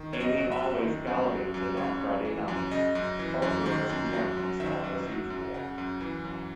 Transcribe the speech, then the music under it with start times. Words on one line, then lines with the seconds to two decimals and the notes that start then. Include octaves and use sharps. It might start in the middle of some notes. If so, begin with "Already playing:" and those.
Annie always “gallivanted” on Friday nights; Arthur was enjoying himself as usual.
Already playing: D#3
0.13 F#2 C#5
0.20 D#5
0.37 F#3
0.52 E5
0.60 F#2
0.83 D#3
1.07 F#2
1.30 F#3
1.54 F#2
1.77 C#3 C#5
2.01 F#2
2.25 E3
2.48 F#2
2.71 C#3 D#5
2.95 F#2
3.19 E3
3.42 F#2
3.66 D#3
3.89 F#2
4.13 F#3
4.37 F#2
4.60 D#3 E5
4.84 F#2
5.07 F#3
5.30 F#2
5.54 C#3 F#5
5.78 F#2
6.01 E3
6.25 F#2